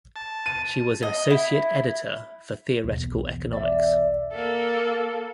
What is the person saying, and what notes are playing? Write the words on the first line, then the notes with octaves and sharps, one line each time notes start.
She was an Associate Editor for "Theoretical Economics".
A5
D#7
D#5
E4
B1 E2
D5 E5
A#3 A4